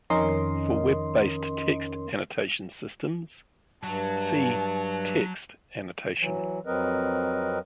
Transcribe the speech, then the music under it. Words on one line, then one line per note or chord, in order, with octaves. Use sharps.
For Web-based text annotation systems, see Text annotation.
F2 D#3 C#4 A#4 D#5 C6
G2 F#3 A5
E3 F#3
F2 F#3 C4 A#4 B4 D#5